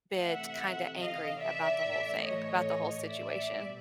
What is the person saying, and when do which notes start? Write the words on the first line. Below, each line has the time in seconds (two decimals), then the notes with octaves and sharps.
bit kinda angry about the whole thing, about the whole situation.
0.15 C3 E3 A3 E5 F#5
0.98 D#5 F5
1.41 D5 E5
1.83 A2 E3 A3
2.23 C#5 D#5
3.07 D5 E5
3.49 B2 G3